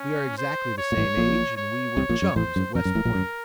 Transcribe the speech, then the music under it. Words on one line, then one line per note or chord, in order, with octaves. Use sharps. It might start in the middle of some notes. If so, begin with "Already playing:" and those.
We are exactly the same age, and we were chums at West Point.
Already playing: C#4
C5
C#5
A#2
A1 A2
A#1 A#2
C#5
C2 C3
A#1 A#2
F#2
A1 A2 C5
F#2
F2 A#4
F#2
A1 A2
A#1 A#2
F#2